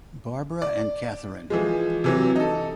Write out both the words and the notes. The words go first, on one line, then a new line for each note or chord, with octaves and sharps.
Barbara and Catherine.
D5
E3 F3 G#3
C3 E3 F#3
D#4 A4